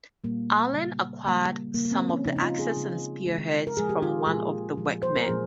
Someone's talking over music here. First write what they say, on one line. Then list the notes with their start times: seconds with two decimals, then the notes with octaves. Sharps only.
Allen acquired some of the axes and spearheads from one of the workmen.
0.24 A#2 G3 A#3
0.73 C#3 G3 A#3
1.25 C#3 G3 A#3
1.74 C#3 F3 A#3
1.85 A#3
1.92 C4
2.09 C#4
2.26 C#3 F3 A#3 D#4
2.36 D#4
2.42 F4
2.59 G#4
2.76 C#3 G#3
3.26 C#3 G#3
3.67 A#4
3.77 A#2 F3 G#3 G#4
3.89 G4
4.02 F4
4.27 A#2 F3 G#3 G#4
4.77 A#2 F3 G#3
5.03 C5
5.16 A#4
5.29 A#2 F3 G#3 G#4